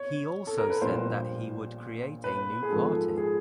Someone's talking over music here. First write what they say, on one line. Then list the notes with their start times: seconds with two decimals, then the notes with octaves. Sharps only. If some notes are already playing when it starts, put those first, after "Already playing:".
He also said that he would create a new party.
Already playing: C#5
0.47 A4
0.58 A#4
0.70 B4
0.82 A#1 A#2 G3 C5
2.24 B4
2.63 G#4
2.70 G#2 F3 G#3 B3 A4
3.17 G#4